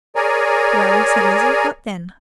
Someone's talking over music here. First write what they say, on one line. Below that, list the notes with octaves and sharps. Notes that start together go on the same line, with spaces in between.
"Well," said Lizzie,--"what then?"
G#4 A#4 C#5 D5 G#5 A#5